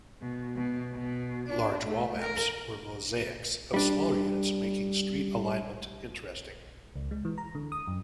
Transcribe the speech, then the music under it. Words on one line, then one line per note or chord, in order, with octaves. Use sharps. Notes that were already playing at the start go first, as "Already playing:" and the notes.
Large wall maps were mosaics of smaller units making street alignment interesting.
B2
B2
B2
D4
A3
A#4
G3 D4
C#2
G#3
E3
A#5
D3
D#6
F#2